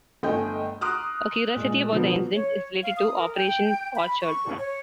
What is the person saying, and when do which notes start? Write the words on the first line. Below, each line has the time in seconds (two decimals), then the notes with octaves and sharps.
A curiosity about the incident is related to Operation Orchard.
0.23 G1 A3 D#5 G5 G#5 G6
0.81 A#5 C6 D6 D#6 F6 F#6
1.56 A#2 G#3
1.92 B2 D3 F3 F#3 B3
2.35 C#5
2.81 F5
2.97 D#6
3.15 A#4
3.34 G5
3.95 B5
4.22 C#6
4.58 C#5